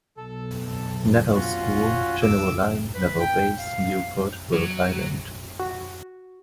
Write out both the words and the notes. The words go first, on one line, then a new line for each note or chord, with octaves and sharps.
Naval School, General Line, Naval Base, Newport, Rhode Island.
B1 A4
C#4 F4 F#4
D6 E6
B4
G5
F5
F#3
F#4